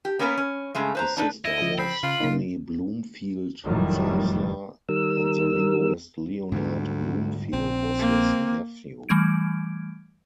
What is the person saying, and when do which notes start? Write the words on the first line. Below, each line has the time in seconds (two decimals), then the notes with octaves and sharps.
His sister was Fannie Bloomfield Zeisler, and the linguist Leonard Bloomfield was his nephew.
0.05 G4
0.19 A#3 B3 C#4 A#4 B4
0.37 C#4
0.75 G2 C#3 G#3 A3
0.95 B4 C5 A#5
1.17 D4 D#4 B4
1.45 E4 D#5
1.62 F3
1.78 C4 B5
2.03 C#3 F4
2.20 C#3 A#3 D#4
3.65 F1 F#2 A2 D#3 F#3 G3
4.89 D#3 G3 A#4 E6
6.52 D2 G#2 D3 G3
7.53 A#1 C4
7.99 A#3
9.09 E3 G3 A3 G#6 D7